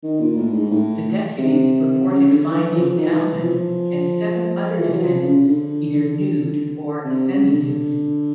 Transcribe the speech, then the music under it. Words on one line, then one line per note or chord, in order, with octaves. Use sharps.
The deputies reported finding Talman and seven other defendants either nude or seminude.
D#3
A#2
A2
G#2
A2
C3
C#3
D3
E3
F3
D#3
E3
F3
E3
F#3
F3
C#3
D3
C3
C#3
D3